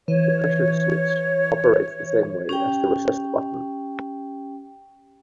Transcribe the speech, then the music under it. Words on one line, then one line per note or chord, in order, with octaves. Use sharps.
This pressure switch operates the same way as the recessed button.
E3 C#5
C#4 G4 G5